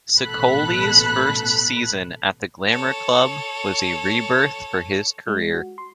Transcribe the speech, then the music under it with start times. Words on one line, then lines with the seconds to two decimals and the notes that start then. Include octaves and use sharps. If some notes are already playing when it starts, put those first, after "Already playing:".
Ceccoli's first season at the glamour club was a rebirth for his career.
0.18 A1 B2 A4 B5 F#6 B6
2.68 A4 C#5
5.28 G#3
5.54 F#4
5.78 C6